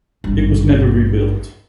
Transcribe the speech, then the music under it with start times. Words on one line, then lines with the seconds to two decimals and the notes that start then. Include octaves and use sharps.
It was never rebuilt.
0.24 G#1 G2